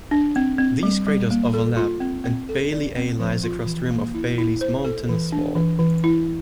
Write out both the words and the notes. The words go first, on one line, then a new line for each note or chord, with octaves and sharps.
These craters overlap, and Bailly A lies across the rim of Bailly's mountainous wall.
D4
C4
C4
G3
G3
A#3
A4
F4
C4
C4
A4
D5
C4
F3
F4
E3
A#3
E4
E4
C5
A4
E3
D4
E3
E3
E4